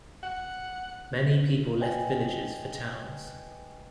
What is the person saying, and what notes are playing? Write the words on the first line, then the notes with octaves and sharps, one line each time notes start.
Many people left villages for towns.
F#5
B4 D#5 G5 G#5